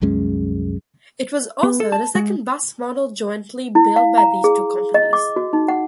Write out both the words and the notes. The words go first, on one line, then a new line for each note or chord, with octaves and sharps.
It was also the second bus model jointly built by these two companies.
C2 F#2 G#3 C#4
B3
A4
A5
G#3
E4
F5
A#5
G#4
D#5
D6
F#4
D#4
F#5